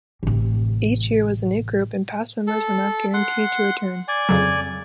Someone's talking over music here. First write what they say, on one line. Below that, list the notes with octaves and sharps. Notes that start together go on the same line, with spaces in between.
Each year was a new group and past members were not guaranteed to return.
A1 C3
A4
F#5 C6
D5 G#5
F2 C#3 F#3